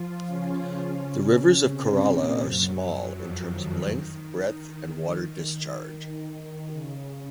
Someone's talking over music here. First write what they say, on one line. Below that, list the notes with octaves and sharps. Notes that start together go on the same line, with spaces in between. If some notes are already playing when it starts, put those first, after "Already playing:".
The rivers of Kerala are small, in terms of length, breadth and water discharge.
Already playing: F3 F4
C#3 C#4
C3 C4
A#2 A#3
F#2 F#3
F2 F3
D#3
D#3
C#3